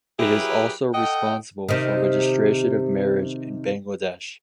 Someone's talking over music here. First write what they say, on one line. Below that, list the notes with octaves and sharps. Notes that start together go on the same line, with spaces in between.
It is also responsible for registration of marriage in Bangladesh.
F#3 E4 G4 G#4 A#4 B4
A4 D#5 F#5 G5
C3 D#3